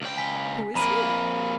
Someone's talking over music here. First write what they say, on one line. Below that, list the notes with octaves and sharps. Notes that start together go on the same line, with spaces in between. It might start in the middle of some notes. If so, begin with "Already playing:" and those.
"Who is he?"
C#2 G5
G#5 B6
F2 A#3 A#5 B5 D#7